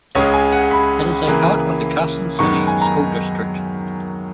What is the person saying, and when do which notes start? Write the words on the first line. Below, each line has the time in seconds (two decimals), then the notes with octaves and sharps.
It is a part of the Carson City School District.
0.15 C#2 C#3 G#3 C#5
0.34 G#5
0.52 F#5
0.71 B5
1.27 C#3 E3 A#3
2.39 F#2 D#3 G#3 B3 D#4 C#6
2.67 G#5
2.82 A#5